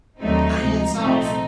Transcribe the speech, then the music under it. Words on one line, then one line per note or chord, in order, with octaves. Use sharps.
A Hands Off!
D#2 D3 F#3 A3 C4 D#4
D2 C3 F3 G#3
C2 A#2 F3 A3 C4 D#4